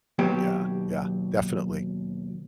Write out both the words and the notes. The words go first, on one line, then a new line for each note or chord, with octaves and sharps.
Yeah, yeah, definitely.
D#2 B2 F#3 G4